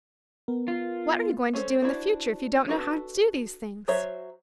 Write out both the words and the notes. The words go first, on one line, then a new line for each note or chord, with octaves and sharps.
"What are you going to do in the future if you don't know how to do these things?"
B3 A#4
F4
G#3 C#4 G#4 A4 C5
D4 E4 F#4 C5
D4 F#4 G#4 A4 B4
F#3 F#4 C5 C#5 E5